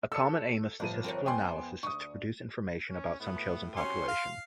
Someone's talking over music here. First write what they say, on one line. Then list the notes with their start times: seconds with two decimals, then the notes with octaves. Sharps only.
A common aim of statistical analysis is to produce information about some chosen population.
0.12 A4 E6 C#7
0.80 G1 A2 F3 D#7
1.04 C4 A#4 C#5
1.26 F2 B3 G5 G#5 C6
1.83 D2 C#6 D#6
2.90 C#4
3.20 A2 B3
3.76 F#2 C3 C#4 C6
4.08 F5